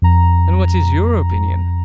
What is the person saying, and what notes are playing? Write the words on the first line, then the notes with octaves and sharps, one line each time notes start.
"And what is your opinion?"
F2 A#5